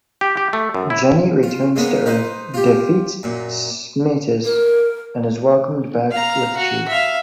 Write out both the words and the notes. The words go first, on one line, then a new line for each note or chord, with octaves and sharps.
Jenny returns to Earth, defeats Smytus, and is welcomed back with cheers.
G4
G4
A3
F#2
E4
F4
G#3 A#3 B3 C#4
D#4 B4 C5
F4 G4
F#2 A#2
A#4
F5 A#5
F#4
E5 F5